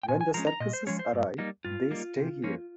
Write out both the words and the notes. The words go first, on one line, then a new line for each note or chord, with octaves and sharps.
When the circuses arrive they stay here.
G5
A#2 G#5
G#5
F3 G#3 C#4 A#5
A#5
A#2 D#5
C5
F3 G#3 C#4 C#5
C5
G2
G3 A#3 D#4
G2 F4
G3 A#3 D#4
C3
F3 A#3 C#4